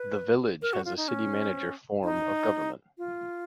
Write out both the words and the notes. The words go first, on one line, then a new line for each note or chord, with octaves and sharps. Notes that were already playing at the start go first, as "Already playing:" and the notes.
The Village has a City Manager form of government.
Already playing: B4
A#4
F#4
F4
D#4
C#4
D#4
F4